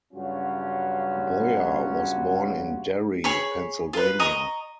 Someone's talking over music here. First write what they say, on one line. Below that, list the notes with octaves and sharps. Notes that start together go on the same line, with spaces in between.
Boyer was born in Derry, Pennsylvania.
G2 C#3 F#3 C#4 F4 F#4
G#4 C#5 B5
F4 B4
D#5 A#5 C#6